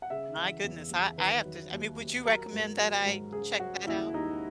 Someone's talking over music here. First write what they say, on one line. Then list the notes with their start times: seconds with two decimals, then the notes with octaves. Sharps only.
My goodness. I I have to I mean, would you recommend that I check that out?
0.02 F#5
0.10 C#3 E5
0.37 E3
0.63 E2
0.91 E2
1.18 D#3 B4
1.45 F#3
1.72 D#2
1.99 D#2
2.25 F#3 A#4
2.53 G#2
2.79 F#3
3.06 G#2
3.33 C#3 G#4
3.60 F#3 F#4
3.86 D#2 E4
4.13 D#2 D#4